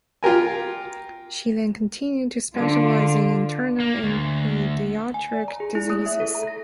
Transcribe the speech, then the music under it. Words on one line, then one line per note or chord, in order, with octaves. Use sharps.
She then continued to specialize in internal and pediatric diseases.
F4 G4 A#4 G#5
D3 F4
A#3
D2
G#5
D5
A#5
G#4
E4
A3
E5
A4
A#5
A#6